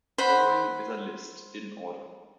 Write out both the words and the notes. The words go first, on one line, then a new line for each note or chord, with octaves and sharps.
Following is a list, in order.
C5 F#5 B5